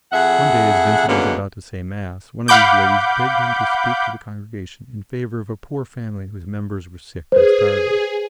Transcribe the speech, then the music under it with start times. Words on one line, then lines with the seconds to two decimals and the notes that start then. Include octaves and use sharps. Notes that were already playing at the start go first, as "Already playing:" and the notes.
One day, as Vincent was about to say Mass, one of these ladies begged him to speak to the congregation in favor of a poor family whose members were sick and starving.
0.12 F2 G#4 E5 F#5
1.07 B2 D3 G#3 A#3 B3 C#4
2.48 F5 F#5 B5 D6 G6
7.32 G#4 B4 C5